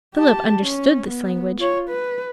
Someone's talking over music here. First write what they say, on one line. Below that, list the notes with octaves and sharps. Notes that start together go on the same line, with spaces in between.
Philip understood this language.
G4 A5
C#4
B3
F4 C#5
B4